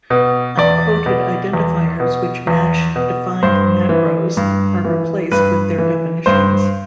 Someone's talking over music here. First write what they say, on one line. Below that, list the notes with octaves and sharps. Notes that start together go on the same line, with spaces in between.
Unquoted identifiers which match defined macros are replaced with their definitions.
B2
E2 D5
B2
E2
B2
E2
B2
G2 C5
E3
G2
E3
G2 B4
E3
G2 C5